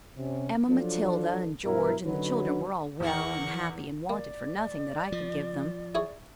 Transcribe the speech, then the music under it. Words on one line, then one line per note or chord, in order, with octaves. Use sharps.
Emma Matilda and George and the children were all well and happy and wanted for nothing that I could give them.
C3 C#4
F3 F#3 D4 F4 A4
G2 B2 E4 A#4
D3 F#3 C#4 D#4 F#4 B4
E2 A#4 F#5 C#6
A#3 D5
F3
E4 G#4 C#5